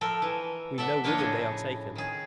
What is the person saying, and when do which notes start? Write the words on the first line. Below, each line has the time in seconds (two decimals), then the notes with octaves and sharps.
We know whither they are taken!
0.01 F3 A4 A#4
0.22 E3
0.78 A4 D5 E5 F#5
1.04 F3 A#3 D4 C#5 D#5
1.18 A2 C#3 G#4
1.96 D#3 G#4